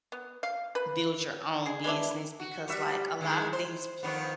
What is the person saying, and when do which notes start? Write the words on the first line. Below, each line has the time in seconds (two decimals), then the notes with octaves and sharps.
build your own business because like a lot of these pl
0.12 B3
0.43 F5
0.75 B4
1.66 G#3 G#4
1.84 G#3 B3 D4 E4
2.40 F#4
2.68 G3 F#4 E5
3.21 D#3 G#3 E4
3.53 C5
4.03 F2 D#3 B3